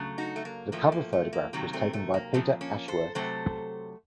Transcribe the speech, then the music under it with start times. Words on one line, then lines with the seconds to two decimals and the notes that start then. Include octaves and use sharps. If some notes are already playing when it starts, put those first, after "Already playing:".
The cover photograph was taken by Peter Ashworth.
Already playing: C#3 F#3 A3
0.18 D#4 F#4
0.36 A3
0.45 A#3
0.72 A2 F3 A3 A#3
0.92 A#3
1.13 A3
1.33 A#3
1.53 C3 D#3 F#3 A#3
1.73 A3 C4
1.93 A3
2.14 A#3
2.34 A#2 F3 A3 C4
2.61 A#3 C#4
2.88 A4 C5
3.15 C3 F#3 A3 A4 C5